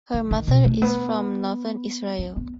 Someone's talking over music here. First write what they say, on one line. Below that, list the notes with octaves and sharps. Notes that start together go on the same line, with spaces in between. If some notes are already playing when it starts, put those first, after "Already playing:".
Her mother is from northern Israel.
D#3
D#3
B2
A3
B3
C4
B3